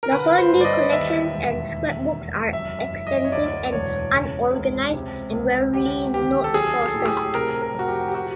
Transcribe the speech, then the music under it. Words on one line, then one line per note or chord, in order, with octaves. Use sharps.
The Hornby collections and scrapbooks are extensive and unorganised, and rarely note sources.
A#4
D3 B4
C5
G2
D5
D#5
D#2 E5
E1
D#2
F1
F#2 E5
E5
F#1
D#5
C#5
D2 D5
E1 C#5
C#3
C#2
C3
C#2
D3 G4
D#2 G4
A4
F#3 G#4
A4
A2
G4
G#4
C3 A#4
A#4
F2 F#4
G4
G4
F#4